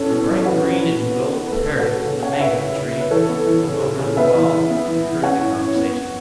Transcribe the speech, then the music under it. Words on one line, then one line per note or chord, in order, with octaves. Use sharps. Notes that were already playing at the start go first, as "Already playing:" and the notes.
A bright green and gold parrot in the mango tree over the wall had heard the conversation.
Already playing: A2 C#4 A4
B2
F#3
C#5
E3 F#4 B4
C#4
E3
B2
B3
B3
B4
A3 A4
C#3 A4
F#4 B4
C#3
C#3
C#4 C#5 F#5
F#5
C#3 B4 E5
C#3
C#3
C#3
B4
E3 A4 C#5
B3
E3
C#3
C#3
C#3
B3 B4 E5
E3
E3
B3
E3
E3
C#4 C#5 F#5
A2
C#4
B3
B3